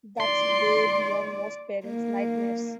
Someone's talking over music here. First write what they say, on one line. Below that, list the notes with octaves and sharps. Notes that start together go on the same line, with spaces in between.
That's way beyond most parents' nightmares.
D5 C6
A#3